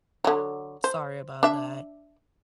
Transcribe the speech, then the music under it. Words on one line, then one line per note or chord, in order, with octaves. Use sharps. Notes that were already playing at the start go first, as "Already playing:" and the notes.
Sorry about that.
D3 F#3
C5
D4 E5